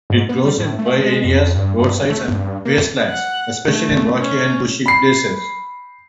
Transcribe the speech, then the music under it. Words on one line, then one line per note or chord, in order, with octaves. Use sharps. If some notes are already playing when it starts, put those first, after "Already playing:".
It grows in dry areas, roadsides and wastelands, especially in rocky and bushy places.
G#2
B3
G3
A2
A3
G#3
F2
G2
G2
A3
G2
A#3
F#5
A3
C#4
B5 C7